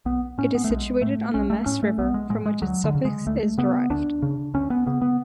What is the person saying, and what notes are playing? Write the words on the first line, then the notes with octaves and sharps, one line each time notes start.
It is situated on the Mess River, from which its suffix is derived.
B1 B3
A2 C#4
B3
A3
B1 G#3
A2 A3
B1 C#4
A3
A2 C#4
A3
B1 B3
G#3
A2 G#3
G#3
D2 F#3
D3
C#3
G#3
D2 A3
C#3 B3
D2 D4
C#3
D2 C#4
B3
C#3 B3
B3